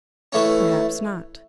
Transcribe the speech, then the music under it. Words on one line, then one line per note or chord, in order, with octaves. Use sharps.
"Perhaps not."
E3 A3 C#4